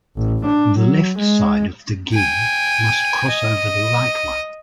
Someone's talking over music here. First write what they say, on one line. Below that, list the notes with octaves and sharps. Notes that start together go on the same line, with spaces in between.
The left side of the gi must cross over the right one.
A1
D4
F#3
G#3
G5 G#5
D#5